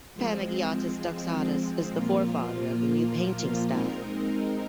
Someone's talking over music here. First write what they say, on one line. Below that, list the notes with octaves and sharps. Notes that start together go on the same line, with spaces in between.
Panagiotis Doxaras is the forefather of the new painting style.
F3 G#3 C4
A#2 F3 A#3 F4
G#3 C4 D#4 A#4